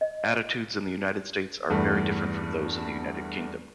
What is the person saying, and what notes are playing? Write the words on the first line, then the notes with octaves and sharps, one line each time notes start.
Attitudes in the United States are very different from those in the United Kingdom.
D#5
E2 G2 A3